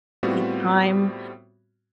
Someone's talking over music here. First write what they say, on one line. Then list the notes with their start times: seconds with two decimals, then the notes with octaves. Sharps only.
each time,
0.23 A2 G3 B3 C4 F4 F#4